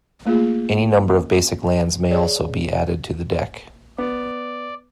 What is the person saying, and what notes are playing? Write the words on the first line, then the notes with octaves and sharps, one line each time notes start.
Any number of basic lands may also be added to the deck.
A3 A#3 F4 G#4
G#4 C#5 D5
B3 D5